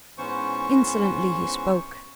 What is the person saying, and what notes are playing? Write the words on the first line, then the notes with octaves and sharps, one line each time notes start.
Insolently he spoke.
G#2 E3 B3 C#4 C5 C#6